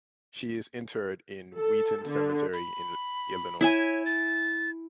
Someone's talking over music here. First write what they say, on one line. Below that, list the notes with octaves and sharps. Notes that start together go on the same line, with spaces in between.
She is interred in Wheaton Cemetery in Illinois.
A4
D3
B5
E4 C#5 E5 G#5
A6